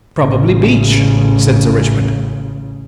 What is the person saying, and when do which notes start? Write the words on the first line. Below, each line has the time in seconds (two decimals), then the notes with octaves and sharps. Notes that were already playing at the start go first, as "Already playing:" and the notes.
"Probably beech," said Sir Richmond.
0.18 A1 C#3